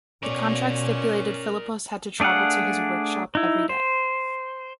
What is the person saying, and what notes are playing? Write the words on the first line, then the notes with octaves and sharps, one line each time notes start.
The contract stipulated Filippos had to travel to his workshop every day.
B2 C#4 A#4 D5
A3 D4 G#4 F5 F#5
D#4 E4
C5